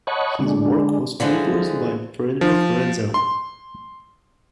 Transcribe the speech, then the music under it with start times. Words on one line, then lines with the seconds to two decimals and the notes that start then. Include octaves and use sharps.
His work was influenced by Friedrich Ratzel.
0.07 C#5 D#5 F#5 A5 B5 C#6
0.40 D3 G#3 D4
1.20 D3 E3 F3 G#3
2.41 F3
3.14 C6